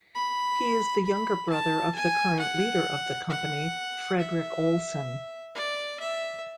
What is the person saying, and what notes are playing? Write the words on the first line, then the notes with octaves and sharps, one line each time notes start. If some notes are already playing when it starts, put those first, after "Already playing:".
He is the younger brother of the current leader of the company, Fredrik Olsen.
B5
B5
A5
G#5
F#5
F#5
E5
D5
E5